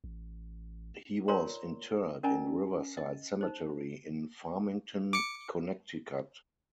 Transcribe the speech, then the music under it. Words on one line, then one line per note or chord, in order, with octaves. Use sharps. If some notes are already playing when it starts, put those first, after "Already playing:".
He was interred in Riverside Cemetery in Farmington, Connecticut.
A1
F4 A#4 C#5 D5 A#5 C6
C#4 A#4 D5 D#5 G#5 A#5
D#5
D#4 C5
D6 C#7